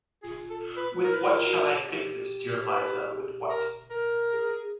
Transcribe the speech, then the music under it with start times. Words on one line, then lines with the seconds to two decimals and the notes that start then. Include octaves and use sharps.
With what shall I fix it, dear Liza, with what?
0.23 F4 G#4
0.50 A4
0.77 B4
1.04 E4 A#4
1.14 B4
1.23 A#4
1.35 F4
1.45 F#4
1.86 G4
2.68 B4
3.50 A#4
3.91 A#4
4.32 G#4